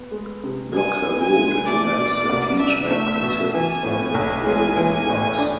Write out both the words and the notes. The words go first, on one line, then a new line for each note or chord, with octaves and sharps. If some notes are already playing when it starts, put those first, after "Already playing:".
Blocks are grouped into "maps", and each map consists only of relevant blocks.
Already playing: B3
G#3
C3
D4 G#5
B3
G#5
G#3
A3 D5
B2
C2
D4 E5
A3
B2
E3 G#5
A2
B1
G#3 G#5
E3
G#5
A2
D4